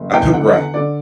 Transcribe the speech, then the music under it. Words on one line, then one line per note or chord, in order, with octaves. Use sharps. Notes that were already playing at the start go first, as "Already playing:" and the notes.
I've Right,
Already playing: F#1
E2 G5
D3 F#5
D3 F#5
D3 D5